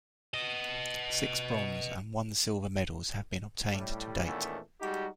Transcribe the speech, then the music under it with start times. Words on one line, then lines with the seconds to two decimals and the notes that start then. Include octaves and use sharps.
Six bronze and one silver medals have been obtained to date.
0.34 B4 D#5
3.71 A2 G3
4.24 E2 A#2 D#3 A3 B3 C#4
4.81 G3 G#3 D#4 F#4 G4